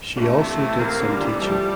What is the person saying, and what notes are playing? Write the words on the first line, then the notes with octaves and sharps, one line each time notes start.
She also did some teaching.
G2 A#2 A3
A2 C3
A3
A2 C3
A2 C3 A#3
A#2 D3
G3
D3
C3 E3
F3 G3 A3